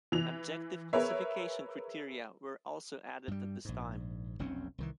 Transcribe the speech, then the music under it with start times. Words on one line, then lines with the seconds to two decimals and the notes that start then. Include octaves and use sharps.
Objective classification criteria were also added at this time.
0.12 E3 F7
0.93 G#4 A#4 B4 C#5 E5
3.28 G2 G3
3.65 A#1 G#2
4.39 F1 B1 C4 C#4
4.78 C2 D#3 E3